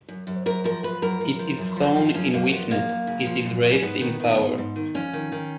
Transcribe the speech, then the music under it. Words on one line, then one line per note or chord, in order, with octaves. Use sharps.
It is sown in weakness, it is raised in power.
F#2
F#2
F#2 A#4
F3 A#4
F3 B4
F#2 A#4
F#2
F3
F#2
F3
F3
F#2 C#4
F#2 A#3
F3 B3
F#2 A#3
F#2
C#3
F3
F#2
F#2
C#4
G#2 B3
D#3
D#3
G#2
G#2
D#3
F2 C#4
D#3
D#3